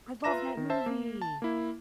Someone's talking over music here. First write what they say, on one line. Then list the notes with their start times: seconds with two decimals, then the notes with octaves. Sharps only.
I love that movie!
0.24 F4 B4 E5 A#5 A#6 E7
0.57 D#3
0.70 C5 E5 A5
0.86 A#3
1.22 A5
1.42 A#3 E4